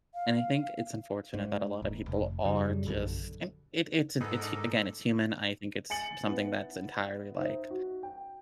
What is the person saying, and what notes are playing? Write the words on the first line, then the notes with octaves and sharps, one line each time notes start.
and I think it's unfortunate that a lotta people are just it it's it's again, it's human, I think it's something that's entirely, like,
F5
G#2
D#1
F1
F#2 C#3 G3
A#1 F#2 D3
G#2 B3 D#4 G#4 A4
D4 D#4 A#4
G#5 A6 C#7 F#7
B3 E4
D#4 C5 E5
F#4
G5